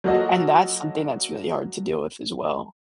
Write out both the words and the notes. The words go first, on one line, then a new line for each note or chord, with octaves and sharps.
and that's something that's really hard to deal with as well.
F#3 A#3 F4 F#4 A4 D#5